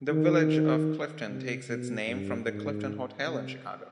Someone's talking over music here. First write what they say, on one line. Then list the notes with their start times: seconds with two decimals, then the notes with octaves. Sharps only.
The village of Clifton takes its name from the Clifton Hotel in Chicago.
0.11 D#3
1.29 C3
1.69 B2
2.08 G2
2.47 G#2
3.26 C3